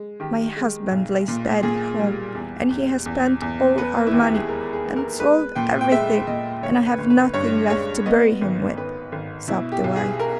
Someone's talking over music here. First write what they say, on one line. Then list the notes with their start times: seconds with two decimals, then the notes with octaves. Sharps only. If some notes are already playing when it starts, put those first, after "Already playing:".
'My husband lies dead at home, and he has spent all our money, and sold everything, and I have nothing left to bury him with,' sobbed the wife.
Already playing: G#3
0.20 D#3 G4
0.56 G#3
0.91 B1
1.28 A#2
1.63 A#2 G#4
1.99 G3
2.35 E2
2.70 E2
3.06 E2
3.42 E2
3.78 B3 B4
4.07 E4
4.12 D#2
4.21 G4
4.34 G#4
4.48 G#3 A#4
4.73 G#4
4.84 B3
4.96 A#4
5.19 G#3 B4
5.56 A#2 G5
5.81 G5
5.91 G#3 E5
6.27 A#2 D#5
6.62 G1 C#5
6.86 B4
6.99 G1
7.10 B4
7.34 G2 C#5
7.70 G#3 C#5
8.06 B3 D#5
8.41 G#1
8.78 G#1 B4
9.12 G#1
9.48 B2 E4
9.72 G4
9.84 B1
9.96 G#4
10.19 A#4